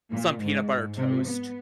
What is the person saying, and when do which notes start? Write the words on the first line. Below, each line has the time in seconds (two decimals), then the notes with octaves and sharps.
some peanut butter toast.
0.12 A#2
0.42 G#2
0.97 C3
1.28 B3